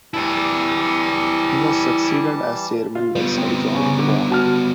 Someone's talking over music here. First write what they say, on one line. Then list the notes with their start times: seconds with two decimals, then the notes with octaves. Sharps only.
He was succeeded as chairman by Sir John Bond.
0.14 E3 G3 E4 D5 A5
2.95 F4
3.15 G3 B3
3.37 C4
3.75 C#3 C#4
3.99 D3
4.30 F#4 A5 F6